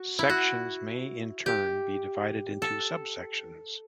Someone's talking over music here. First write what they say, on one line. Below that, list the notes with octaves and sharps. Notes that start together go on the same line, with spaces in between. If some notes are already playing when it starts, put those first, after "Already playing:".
Sections may in turn be divided into subsections.
Already playing: F#4
E4
F#4
G4
A4